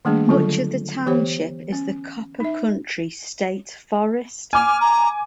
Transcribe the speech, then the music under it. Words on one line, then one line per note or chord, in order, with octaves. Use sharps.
Much of the township is the Copper Country State Forest.
D#3 G3 A3 A#3 D4 G#4
D3 F#3 G3 F4 A4
E3 B3 G4 C5 C#5
C#4
D#4 E5
G#5 D6 F6
A#5